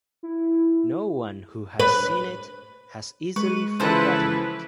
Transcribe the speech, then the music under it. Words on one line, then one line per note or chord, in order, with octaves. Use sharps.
No one who has seen it has easily forgotten it.
E4
B4
G#3 B4 C#6
C#3 E3 F3 E4 A4 B4 C5